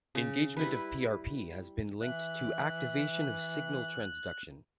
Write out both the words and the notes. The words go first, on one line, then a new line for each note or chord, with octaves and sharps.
Engagement of PrP has been linked to activation of signal transduction.
C#3
G3 E4 B4
E3 E5 F#6